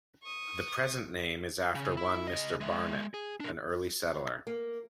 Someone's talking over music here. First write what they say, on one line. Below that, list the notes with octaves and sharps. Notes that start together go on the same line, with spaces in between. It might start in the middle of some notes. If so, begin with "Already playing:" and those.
The present name is after one Mr. Barnet, an early settler.
C#6 D#6
C#3
E4
C#3 D#5
G#3 E5
G#4
D4 A#4
A#3